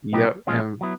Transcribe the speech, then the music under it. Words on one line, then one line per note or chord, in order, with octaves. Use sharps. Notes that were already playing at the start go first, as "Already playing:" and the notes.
Yeah, and
B2 F#3 B3 D#4 G4
A#2 F3 G#3 C#4 F4
F#3 B3 E4